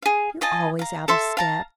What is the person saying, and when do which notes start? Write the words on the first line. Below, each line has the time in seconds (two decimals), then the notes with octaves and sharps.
You're always out of step.'
0.02 G#4 F5
0.41 F4 D#5 G#5 A5
0.79 F5 A#5
1.08 A4 E5 C6
1.37 F5 A5 A#5